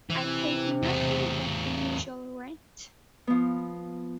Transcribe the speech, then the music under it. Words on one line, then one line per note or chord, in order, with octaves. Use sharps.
I paid nothing but the usual rent.
C3 E3
E2 A3
F3 B3